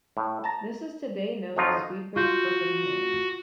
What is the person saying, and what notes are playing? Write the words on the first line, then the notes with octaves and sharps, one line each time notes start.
This is today known as Swedberg's Book of Hymns.
A2
A5 A#5
F2 F3 F#3 D#4 F4
F4 F#4 G6